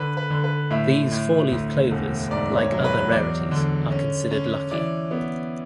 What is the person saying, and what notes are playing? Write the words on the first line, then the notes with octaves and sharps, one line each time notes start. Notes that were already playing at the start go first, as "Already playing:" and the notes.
These four-leaf clovers, like other rarities, are considered lucky.
Already playing: D3 B4
B4
D3
B4
A2 E5
A2
D2
E1
G#2 D5
C#5
F#3
B4
E2 D5
D3
C#4
C#4
E3 D5
B3